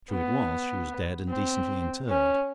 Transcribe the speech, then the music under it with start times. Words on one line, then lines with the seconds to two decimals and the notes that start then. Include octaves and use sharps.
True it was, she was dead and decently interred.
0.11 B3
1.29 C4
2.09 C#4